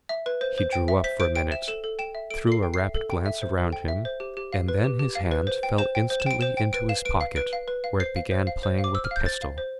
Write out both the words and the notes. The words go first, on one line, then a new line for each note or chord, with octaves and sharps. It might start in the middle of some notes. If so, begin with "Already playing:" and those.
He drew up for a minute, threw a rapid glance around him, and then his hand fell instantly into his pocket, where it began playing with a pistol.
E5
B4
C5
C5
G5
E5
C5 B6
C5 D7
G5 D7
E5 E7
A4 E7
A4
G5 E7
E5
A4 D7
A4 C7
G5
E5 C7
A4
G5
E5
C5
A4
G5
E5
C5
G4
G4
F5
B4
G4
G4
F5
B4
C5
G5
C5 E7
G5
C5
E7
G5 D7
C5 E7
G5
B4 D7
F5 E7
B4 D7
F5
B4 D7
F5
B4
F5
C5 C7
F5
C5
F5
C5
F5
D6
C5 E6
F6
F5 G6
C5 A6
F5
C5